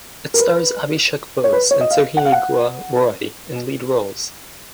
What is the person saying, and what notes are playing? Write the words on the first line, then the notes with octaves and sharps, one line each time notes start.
It stars Abhishek Bose and Sohini Guha Roy in lead roles.
A#4
B4
C#5
B4
C#5
D#5
F5
F#5
F5
F#5